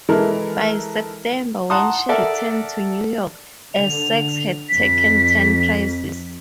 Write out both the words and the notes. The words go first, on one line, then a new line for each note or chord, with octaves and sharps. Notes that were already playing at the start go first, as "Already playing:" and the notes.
By September, when she returned to New York, "Essex" had taken ten prizes.
E3 G#3 E4 A4 A#4
F#5 A5 A#5 C6 D#6
A4 A#4 D5 E5 F#5
D3 F7
F2 B6